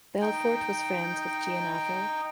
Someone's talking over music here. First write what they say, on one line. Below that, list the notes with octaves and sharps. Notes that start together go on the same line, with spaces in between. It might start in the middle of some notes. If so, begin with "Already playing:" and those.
Belfort was friends with Jane Avril.
D#4 G5